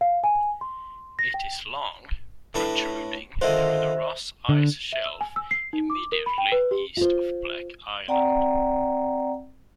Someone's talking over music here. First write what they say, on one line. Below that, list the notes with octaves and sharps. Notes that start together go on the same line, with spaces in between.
It is long, protruding through the Ross Ice Shelf immediately east of Black Island.
F5
G#5
C6
A#6
G5
A2 D4 B4
D3 D#3 F4 C5 E5
D3
E5
E6
G#5
E6
C7
D#4
D6
A#4
B5
G5
B4
G4
F4 C5
C4 D5 F#5 G5 A#5